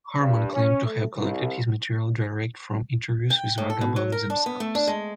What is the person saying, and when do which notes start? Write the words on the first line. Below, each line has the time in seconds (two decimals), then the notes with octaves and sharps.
Harman claimed to have collected his material direct from interviews with vagabonds themselves.
0.20 G2
0.53 C#4
0.85 A3
1.16 C2
3.30 G5
3.58 A2
3.70 A4
3.81 B2
3.96 F#3
4.12 A#4
4.30 D4
4.46 B3
4.60 A3
4.75 D4
4.87 G#3